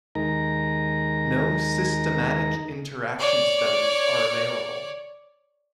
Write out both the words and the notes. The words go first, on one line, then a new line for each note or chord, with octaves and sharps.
No systematic interaction studies are available.
D#2 G#3 D#4 A#4 A#5
C#5 D5